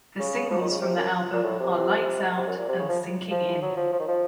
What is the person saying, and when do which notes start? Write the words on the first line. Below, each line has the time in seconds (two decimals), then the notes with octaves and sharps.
The singles from the album are "Lights Out" and "Sinking In".
0.19 C#3
0.51 F3
0.61 D#3
0.70 C#3
0.81 C3
0.96 F#2
1.33 A#2
1.43 A2
1.59 C3
1.74 C3
2.37 C3
2.47 F#2
2.58 A#2
2.68 C3
2.79 C#3
2.89 F3
3.31 F3
3.62 F#3
3.77 F3
3.92 F3
4.00 D#3
4.08 F3